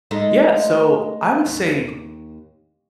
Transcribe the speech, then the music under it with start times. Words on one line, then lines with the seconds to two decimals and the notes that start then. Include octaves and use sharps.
Yeah, so, I would say,
0.11 G#3 A3 D#4
1.46 D#2